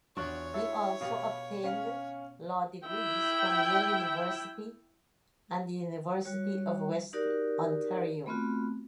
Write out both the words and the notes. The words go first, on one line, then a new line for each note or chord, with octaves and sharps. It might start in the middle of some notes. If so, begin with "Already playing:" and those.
He also obtained law degrees from Yale University and the University of Western Ontario.
E2 D4 F4 F#4 C#5
E4 A4
B2 B3 G4 F5
C#4 F5
E4 G5
G3 F#4 C#5
D#4 F#4 G4 A#4 D5
A3 B3 C4 F4 F#4